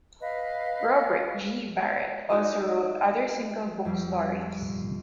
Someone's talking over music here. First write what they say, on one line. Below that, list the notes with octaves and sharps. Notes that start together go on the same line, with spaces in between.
Robert G. Barrett also wrote other single book stories.
B4 D#5 F5
D#4 F#4 D5 D#5
F2 G3